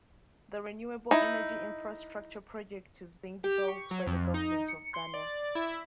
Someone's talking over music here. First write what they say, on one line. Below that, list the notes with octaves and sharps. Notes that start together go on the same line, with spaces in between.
The renewable energy infrastructure project is being developed by the government of Ghana.
D#4 E4
G4
C#6
F#3
F2
D#4
C#7
C6
D5
E4